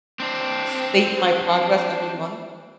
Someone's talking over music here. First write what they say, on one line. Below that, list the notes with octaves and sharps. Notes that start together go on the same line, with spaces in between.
state my progress every month.
C4 D4